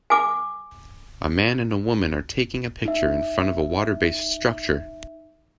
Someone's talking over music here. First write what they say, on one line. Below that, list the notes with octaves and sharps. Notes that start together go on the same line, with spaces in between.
A man and a woman are taking a picture in front of a waterbased structure.
G#5 D6
D#4 E5